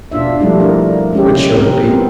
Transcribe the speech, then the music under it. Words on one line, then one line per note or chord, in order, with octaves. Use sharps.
Which shall it be?
B2 D4 F4 E5
F3 G3 A3 D4 E4
A#4
G#3 C#4 G4
C3 C4 A#4
B3 C4